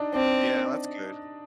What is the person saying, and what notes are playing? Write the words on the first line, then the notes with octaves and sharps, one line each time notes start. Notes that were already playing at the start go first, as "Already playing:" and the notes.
Yeah, that's good.
Already playing: D4 D#4 D5 D#5
C4 D4 D5